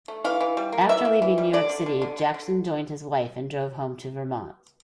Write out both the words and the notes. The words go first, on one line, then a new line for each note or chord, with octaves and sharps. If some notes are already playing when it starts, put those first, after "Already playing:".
After leaving New York City Jackson joined his wife and drove home to Vermont.
A3
E3 F5
E3
G3
A#3
E3 E5
A#3
E3
G3
D3 D5
D3
D3
D3
D3
D3